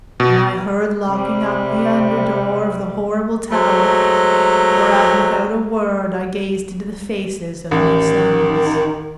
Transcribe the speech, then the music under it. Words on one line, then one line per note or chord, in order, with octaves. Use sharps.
And I heard locking up the under door Of the horrible tower; whereat without a word I gazed into the faces of my sons.
B2
C3 G3
F#3 G#3 A3 C5 A#5
A1 D#3